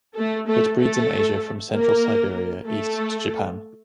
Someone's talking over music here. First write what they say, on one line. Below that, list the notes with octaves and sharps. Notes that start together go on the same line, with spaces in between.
It breeds in Asia from central Siberia east to Japan.
A3 A4
A3 A4
A3 A4
A#3 A#4
A3 A4